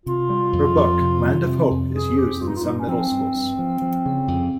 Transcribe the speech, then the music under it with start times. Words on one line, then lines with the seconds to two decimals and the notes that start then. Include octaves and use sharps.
Her book "Land of Hope" is used in some middle schools.
0.06 C3 F4
0.30 G3
0.53 F2
0.77 F2
1.00 C3
1.24 G3
1.46 C3
1.71 F2
1.94 G2 G#4
2.17 C4 G4
2.41 G2 F4
2.48 D#4
2.56 F4
2.64 G2 D#4
2.79 C#4
2.88 F3 C4
3.12 G2
3.35 G2
3.59 F3
3.82 F3
4.06 C#3
4.28 F2